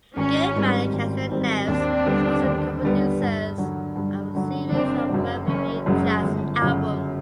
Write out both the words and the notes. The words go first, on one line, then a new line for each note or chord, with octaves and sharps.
Goodman and Castro-Neves were also co-producers of a series of well-reviewed jazz albums.
G#1 C#4
G#2 D#3 G3 C4
G#1
G#2 D#3 G3 C4
D#2 C4 D4
D3 G3 B3
D#2
D3 G3 B3
G2
D3 F#3
G2
D3 F#3
F#1 C4 D4
F#2 C#3 F#3
F#1 C#4
F#2 C#3 F#3 G#3
G1
F#2 C#3 F#3